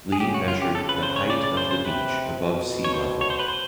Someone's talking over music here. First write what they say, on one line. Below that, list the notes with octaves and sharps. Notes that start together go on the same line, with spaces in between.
Lee measured the height of the beach above sea level.
G#4
C#3 G4
F#4
F4
G4
C#3 A4
B4
C5
C#5
D5
D5
C5
C5
C3 B4
B2
C#5
C5
C#5
C5
B4
C5